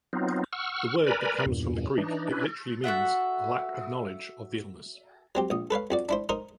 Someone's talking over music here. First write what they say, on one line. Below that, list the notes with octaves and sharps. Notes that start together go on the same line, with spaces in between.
The word that comes from the Greek, it means literally "lack of knowledge of the illness."
F#3 B3 C4 D#4 F4
F#5 C#6 E6 F6
A#4 B4 D5 G#5 A#5 B5
E2 G2 A#2
E3 D4 D#4
C#4 D4 E4 B4
F#4 A4 E5 F#5
F#3 C4 G4
A#1 D#6
A4 B4 C#5 F5
F2 F#4 D5
D4 E4 C5
D#4 A#4 C5 D#5